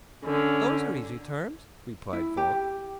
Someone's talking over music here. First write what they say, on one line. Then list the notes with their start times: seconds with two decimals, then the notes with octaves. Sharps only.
"Those are easy terms," replied Falk.
0.24 D3 C#4
2.13 E4
2.37 G4